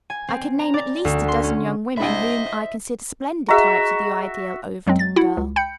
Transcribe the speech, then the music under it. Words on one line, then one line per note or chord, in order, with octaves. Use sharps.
"I could name at least a dozen young women whom I consider splendid types of the ideal Overton girl."
G#5
C4
A#5
D5
D2
C6
C#4
C2 D4 C5 D#5 E5 B5
F#4 G#4 D#5 E5 A#5
F#2 F#3 G#3 C4
A6
E4 F#4 F#5
C#2
G5 B5 G6 C#7